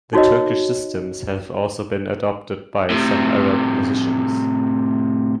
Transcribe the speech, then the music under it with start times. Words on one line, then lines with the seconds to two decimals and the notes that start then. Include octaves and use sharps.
The Turkish systems have also been adopted by some Arab musicians.
0.13 D#4 F#4 C#5 D#5
2.90 A2 C3